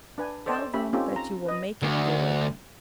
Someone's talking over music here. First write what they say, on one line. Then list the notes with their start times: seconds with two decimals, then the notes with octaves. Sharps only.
Tell them that you will make it good.
0.18 D4 B4 G#5
0.46 A4 C5 D5 D#5 G5 A5
0.74 C#4 G4 E5 B5
0.93 C4 C#4 D#4 F4 G4 A4
1.16 A#5
1.46 B4 D#5
1.82 D2